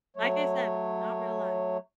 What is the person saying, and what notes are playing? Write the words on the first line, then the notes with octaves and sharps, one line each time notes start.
Like I said, not real life.
F#3 A3 C#5